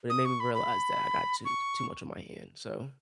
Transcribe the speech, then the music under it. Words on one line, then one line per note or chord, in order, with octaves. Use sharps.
but it made me realize that I got too too much on my hand, so
D#6
C#6
B5
B5
C#6